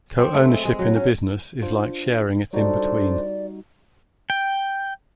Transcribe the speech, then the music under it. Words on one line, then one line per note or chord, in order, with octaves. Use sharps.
Co-ownership in a business is like sharing it in between.
C4
A3
G#3
G#3
F#3
C#4
D4 F4 C5
G3 D4 D#4 F#4 A4 C5 D5
G5